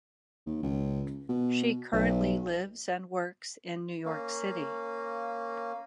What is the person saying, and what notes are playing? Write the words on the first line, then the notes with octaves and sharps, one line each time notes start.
She currently lives and works in New York City.
D#2
C#2
B2
B1
A#3 C#4